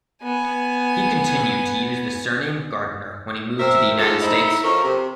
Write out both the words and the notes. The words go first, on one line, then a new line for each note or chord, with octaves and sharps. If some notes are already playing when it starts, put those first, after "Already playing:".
He continued to use the surname Gardiner when he moved to the United States.
B3 G#5
C4 A#4 C5 E5
G#2 F3 A4
D#4 E4 C5 D#5 E5
F3 C#4 A4 A#4
C3